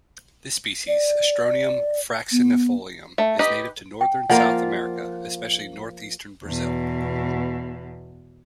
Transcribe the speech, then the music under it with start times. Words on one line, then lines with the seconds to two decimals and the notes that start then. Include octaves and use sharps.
This species, "Astronium fraxinifolium", is native to northern South America, especially north-eastern Brazil.
0.88 D5
2.32 B3
3.18 A3
3.39 D#4 G4 B4 D#5
4.01 G5
4.30 F3 A#3 F4 D5 F#5 G#5
6.45 E2 B2